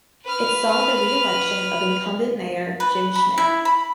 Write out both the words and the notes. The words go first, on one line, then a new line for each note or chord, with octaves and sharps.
It saw the reelection of incumbent mayor Jim Schmitt.
B4 F6
B4
B5
E4
B5